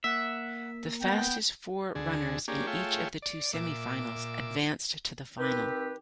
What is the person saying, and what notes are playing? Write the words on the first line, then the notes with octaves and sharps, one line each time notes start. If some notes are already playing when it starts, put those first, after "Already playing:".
The fastest four runners in each of the two semifinals advanced to the final.
A#3 E5 F#5
B3 G5
D2 D3 G#4
A#3 C#4 D4 G4 G#4
A3 F4 G#4 C#5 E5 G5
D5
A#2 E5 D6
D#3 C4 G4 B4